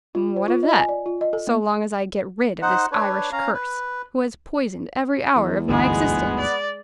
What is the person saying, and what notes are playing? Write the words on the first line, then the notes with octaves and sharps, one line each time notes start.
What of that, so long as I get rid of this Irish curse, who has poisoned every hour of my existence!
F4
C5
F4
D#5
G#5
D5
F4
D#5
A4
A#3
D#4 C5 F#5
D4 B4 C#5
C#4 F5 A#5
B4
E2
G1 D2 G#2 G#3 B3
D5